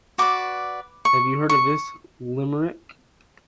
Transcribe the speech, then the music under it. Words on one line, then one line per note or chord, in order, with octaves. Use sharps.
Have you heard this limerick?
F#4 B4 D5 D6
C#6
C#6